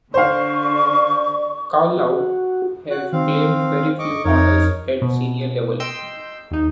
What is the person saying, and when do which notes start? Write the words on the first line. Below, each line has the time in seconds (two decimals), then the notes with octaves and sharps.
Carlow have claimed very few honours at senior level.
0.14 D3 C5 D5 F5 C#6
1.97 F#4
2.91 F#4 F#6
3.12 D#3 C4 F5
3.99 D#5 C#6 D6
4.25 F2 D#4 A#4 C#5
5.02 B2
5.80 D#5 G5 C6 E6 G6
6.51 D#2 D#4